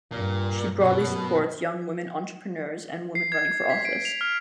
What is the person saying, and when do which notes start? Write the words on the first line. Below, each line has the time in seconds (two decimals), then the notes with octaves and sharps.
She broadly supports young women entrepreneurs and women running for office.
0.12 G2 A#2
0.81 F#2 B2
3.15 C7
3.32 G#6
3.70 B6
3.85 D7
4.05 F7
4.21 F6